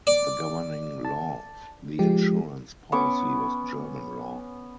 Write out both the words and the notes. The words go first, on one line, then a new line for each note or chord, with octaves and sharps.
The governing law of the insurance policy was German law.
D5
A5
F3 G#3 G4
B3 C#4 C#6 D6